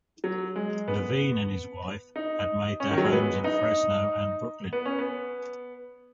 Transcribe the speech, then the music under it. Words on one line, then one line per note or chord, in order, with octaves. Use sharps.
Levine and his wife had made their homes in Fresno and Brooklyn.
F#3
G#3
B3
D#4
C#4
D#3
F#3
G#3
B3
D#4
B3
C#4
B3